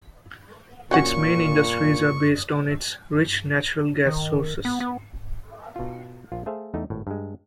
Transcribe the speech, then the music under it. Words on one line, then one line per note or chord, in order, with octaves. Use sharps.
Its main industries are based on its rich natural gas sources.
A#2 F#3 C#4 F#5 C#6
D#3
B3
B3
B2 F4
A#1 F4
A3 G#4 C5 E5 F5 A5
E2 A3 D#4
G#1 A2
G2 G#3